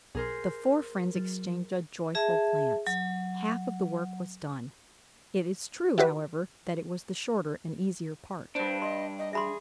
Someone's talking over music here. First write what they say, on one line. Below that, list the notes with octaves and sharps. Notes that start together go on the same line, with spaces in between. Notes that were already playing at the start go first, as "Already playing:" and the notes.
The four friends exchanged a joyful glance; half of the work was done. It is true, however, that it was the shorter and easier part.
B1 G#4 A#4 C5
F#3
G#4 E5 A5
F#3
E4 F#4 G4 B4
G2 D4 C5
D#5 C6
D#5
G#4 E5 B5 C6